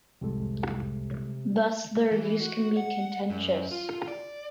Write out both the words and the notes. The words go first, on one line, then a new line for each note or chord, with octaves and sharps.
Thus their use can be contentious.
C2 F2 A2 C3 G3 G#3 A4
E3
F#4
F#5
F#2
F4
D5